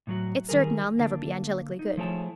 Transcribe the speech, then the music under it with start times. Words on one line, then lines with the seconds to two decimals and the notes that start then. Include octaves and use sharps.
It's certain I'll never be angelically good.
0.07 A2 F#3 F#4
0.49 D#3 G3 G#4 A#4
0.99 D3 A#3 D4
1.79 D#4
1.97 F3 A3 E4 G#4 C#5 A5